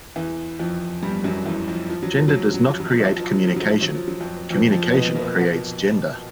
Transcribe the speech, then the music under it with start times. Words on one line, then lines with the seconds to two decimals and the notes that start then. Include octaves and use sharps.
Gender does not create communication, communication creates gender.
0.16 E2 E3
0.59 F2 F3
1.02 G2 G3
1.24 F#2 F#3
1.46 E2 E3
1.68 F2 F3
1.90 F3
2.03 F#3
2.16 F3
2.28 F#3
2.41 F3
2.54 F#3
2.67 F3
2.80 F#3
2.92 F3
3.05 F#3
3.18 F3
3.31 F#3
3.44 F3
3.56 F#3
3.69 F3
3.82 F#3
3.95 F3
4.08 F#3
4.21 F2 F3
4.50 F2 F3
4.72 F2 F3
4.94 B2 B3
5.15 A#2 A#3